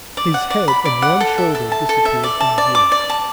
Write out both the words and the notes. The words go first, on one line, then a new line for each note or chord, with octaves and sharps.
His head and one shoulder disappeared from view.
D5
F#5
D5
B5
D5
F#5
A4
E5
A4
A5
A4
E5
D5
A5
D5
D6
D5
A5